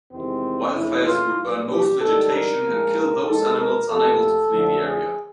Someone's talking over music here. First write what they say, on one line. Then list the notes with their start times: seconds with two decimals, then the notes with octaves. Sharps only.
Wildfires will burn most vegetation and kill those animals unable to flee the area.
0.13 E2 C3 D#3 G#3 C4
0.75 F2 C#3 E3 A3 E4
1.07 F4
1.38 B1 A#2 G3
1.69 G4
2.01 G#2 D#3 G3 A4
2.32 A#4
2.64 A#1 A#2 F3 G#3
3.26 D#2 D#3 G#3 A4
3.58 A#4
3.89 F2 C3 F3 A3 A4
4.52 F2 D3 F3 A3
4.83 G#4